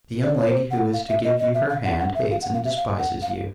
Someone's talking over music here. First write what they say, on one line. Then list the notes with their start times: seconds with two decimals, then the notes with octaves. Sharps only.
The young lady who is to give you her hand hates and despises you.
0.23 D5
0.35 C#5
0.48 C5
0.71 F#5
0.93 F5
1.09 E5
1.24 D#5
1.40 D#5
1.54 E5
1.69 F5
1.85 F#5
2.00 F#5
2.14 E5
2.31 F5
2.42 F#5
2.54 F5
2.65 E5
2.76 F5
2.99 F#5
3.22 F5